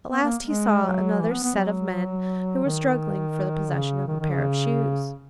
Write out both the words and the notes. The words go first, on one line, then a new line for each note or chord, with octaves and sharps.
At last he saw another set of men, who were struggling for the possession of a pair of shoes.
B3
A#3
G#3
F#3
E3
B3
B3
F#3
D#3
C#3
D#3
D#3
C#3